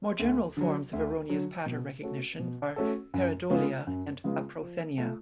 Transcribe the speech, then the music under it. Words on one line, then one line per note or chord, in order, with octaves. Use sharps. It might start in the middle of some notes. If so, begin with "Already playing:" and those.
More general forms of erroneous pattern recognition are "pareidolia" and "apophenia".
D2
D3 F#3
D2
D3 F#3
B2
A3 C#4 F#4 A4
B2
A3 C#4 F#4 A4
F#2
C#3 G#3 B3 F4
F#2
C#3 G#3 B3 F4
F3
A3 F4